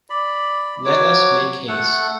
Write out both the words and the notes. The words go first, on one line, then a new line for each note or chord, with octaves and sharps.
Let us make haste.
D5 B5
F#3 C#5 D6
A3 A4 F#5